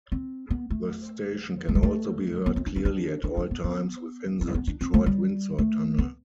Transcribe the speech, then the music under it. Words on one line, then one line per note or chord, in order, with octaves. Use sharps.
The station can also be heard clearly at all times within the Detroit-Windsor Tunnel.
C4
B3
A3
A3
G3
A3
B3
C4
D4
C4
D4
D4
D4
B3
B3
C4
B3
D4
C4
A3
G3
A3
B3